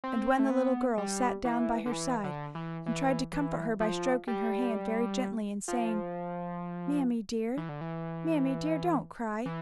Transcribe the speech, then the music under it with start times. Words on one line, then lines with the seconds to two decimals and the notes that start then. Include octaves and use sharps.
And when the little girl sat down by her side, and tried to comfort her by stroking her hand very gently, and saying, 'Mammie dear, mammie dear, don't cry!
0.04 C4
0.39 A3
0.50 B3
0.98 G3
1.45 E3
1.86 D3
1.92 E3
2.24 D3
2.55 E3
2.86 E3
3.33 E3
3.80 F3
4.28 G3
5.68 F3
7.57 E3
7.69 D3
7.81 E3
9.46 E3